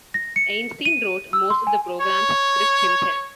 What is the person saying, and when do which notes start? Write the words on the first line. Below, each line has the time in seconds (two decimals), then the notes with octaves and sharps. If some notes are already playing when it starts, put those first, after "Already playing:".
Einstein wrote most of the program's scripts himself.
0.14 A#6
0.36 C#7
0.85 D#7
1.33 E6
1.50 C6
1.67 G#5
2.02 C#5